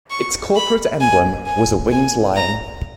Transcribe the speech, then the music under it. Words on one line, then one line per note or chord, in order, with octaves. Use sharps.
Its corporate emblem was a winged lion.
C#6
B5
G#5
G#5
G#5
A#5